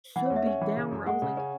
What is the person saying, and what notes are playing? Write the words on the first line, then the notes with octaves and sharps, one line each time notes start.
so beat down where I was like,
E3 F#5
C#5
E2
E5
C#4
E3
C#3
F#2
G#3 F#5
C#3
C#4